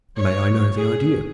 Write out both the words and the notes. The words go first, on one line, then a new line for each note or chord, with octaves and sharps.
"May I know the idea?"
C#5
G#4